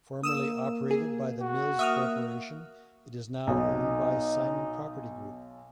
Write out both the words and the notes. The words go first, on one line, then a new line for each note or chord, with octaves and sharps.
Formerly operated by the Mills Corporation, it is now owned by Simon Property Group.
A#3 D#6 E6 E7
G#4
F#4
A#3 E5 D#6 F6
B1 B2 D#4